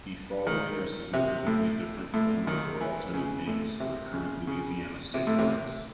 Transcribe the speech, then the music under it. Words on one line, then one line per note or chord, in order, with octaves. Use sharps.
The following are significantly different former or alternate names for current Louisiana state parks.
D#3
C3
A2
A2
D#3
E3
C#3
A2
C3
C#3
C#3
C3
A2
C3